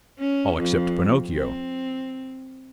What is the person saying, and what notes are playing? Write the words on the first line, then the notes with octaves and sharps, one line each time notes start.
All except Pinocchio.
C#4
F2
C4